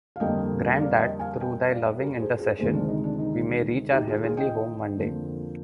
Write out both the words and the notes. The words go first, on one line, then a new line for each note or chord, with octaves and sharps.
Grant that, through thy loving intercession, we may reach our heavenly home one day.
F5
F2 D3 G3 A#3 D#5 G5
D5 F5
D#5 G5
F5 G#5
D#5 G5
D5 F5
G4 A#4
G#4 C5
F4 G#4
D2 C3 D#3 G#3 G#4 C5
D4 F4
D#4
D4
D#4
D#4 G4
F4 G#4
F4 G#4
D#5 G5
F2 D3 F3 A#3